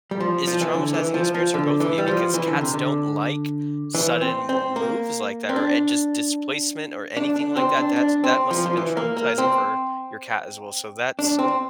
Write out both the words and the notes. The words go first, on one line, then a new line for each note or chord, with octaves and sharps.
is a traumatizing experience for both of you because cats don't like sudden m moves like that or an just displacement or anything like that. That's that must have been traumatizing for your cat as well, so, that's
G3
F3
F3
E3
D3
E3
F3
F3
D3
E3
G3
F3
E3
D3
C3
D3
E3
C4
C4
A#3
C4
D4
D4
D4
C4
D4
D4
C4
F3
F3
E3
A#3
A#3
C4
D4
C4